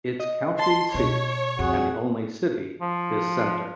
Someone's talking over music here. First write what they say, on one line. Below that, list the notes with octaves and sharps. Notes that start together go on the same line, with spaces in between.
Its county seat and only city is Center.
D#5
A5 C6
B2 C#5
F2 F#4 G#4 F#5
F3